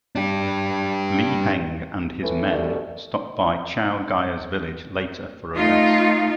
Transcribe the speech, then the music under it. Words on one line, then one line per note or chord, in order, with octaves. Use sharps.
Lei Heng and his men stop by Chao Gai's village later for a rest.
D4 G4
A2 E3
C2 F#2 B2 D3 G3 A3
A3 D#4 F4